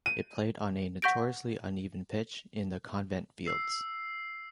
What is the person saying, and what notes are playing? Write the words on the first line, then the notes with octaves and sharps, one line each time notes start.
It played on a notoriously uneven pitch in the 'Convent Fields'.
D#7
F#5 C#6 G6 A#6 D7
E6 C7